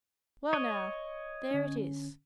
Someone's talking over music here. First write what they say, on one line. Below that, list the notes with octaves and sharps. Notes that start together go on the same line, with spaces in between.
Well, now, there it is.
C#5 D#5
D3 C#4